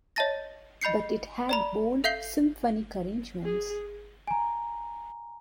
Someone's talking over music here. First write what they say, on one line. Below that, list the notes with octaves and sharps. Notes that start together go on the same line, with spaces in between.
But it had bold, symphonic arrangements.
C#5 D#5 E5 A5 A6 A#6
D#5 B5 G6 C7 C#7
D5 A#5 B5
A4 E5 F5 G6 C7 G7
G#4
G#5 A#5